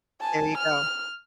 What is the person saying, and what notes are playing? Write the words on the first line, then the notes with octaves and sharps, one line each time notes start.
There you go.
G#5 A5
F6